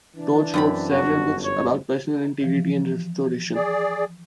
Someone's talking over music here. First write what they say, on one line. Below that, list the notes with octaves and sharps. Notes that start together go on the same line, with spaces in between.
Dortch wrote several books about personal integrity and restoration.
E3 D4
F#2 C4 B5
G1 F#4
C#5
E3 F3
G#4 D5